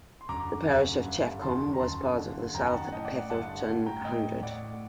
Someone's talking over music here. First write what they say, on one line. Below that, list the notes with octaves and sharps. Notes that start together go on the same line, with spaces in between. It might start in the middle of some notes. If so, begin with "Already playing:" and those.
The parish of Chaffcombe was part of the South Petherton Hundred.
C6
F#2 D3 A#5 D6
F#2 D3
G2 D3
F#2 D#3 A5 C6
A#5
F#2 D3 A5 C6
G2 D3
F#2 D#3 G5 A#5
F#5 A5
F#5
A2 D#5 G5
D5 F#5
D5 F#5
G2 D3 F#5 A5
A2
G5 A#5
A2 D#5 G5
A2 D5 F#5